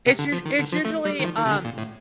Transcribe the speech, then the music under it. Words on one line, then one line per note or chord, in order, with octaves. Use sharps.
it's usu it's usually, um,
C3
D3
F3
D#3
D3
F3
A3
G3
D#3
F3
D#3
C3
D3
A#2
A2